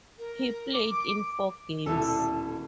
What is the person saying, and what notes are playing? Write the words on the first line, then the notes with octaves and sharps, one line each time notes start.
He played in four games.
A#4
D6
D#1 B2 D3 E4 A4 A5